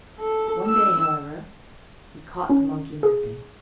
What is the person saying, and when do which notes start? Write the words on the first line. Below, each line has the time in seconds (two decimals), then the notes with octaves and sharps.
One day, however, he caught the monkey napping.
0.19 A4
0.67 E6
2.49 C#4
3.03 G#4